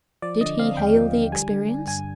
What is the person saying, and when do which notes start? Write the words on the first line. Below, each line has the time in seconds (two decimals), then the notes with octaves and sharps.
Did he hail the experience?
0.22 F3 D5
0.41 D3 D#5
0.59 C4 F5
0.77 D#2 G5
0.95 F3
1.14 D3
1.32 G3 G#5
1.51 D3
1.69 D4
1.87 G2 G#5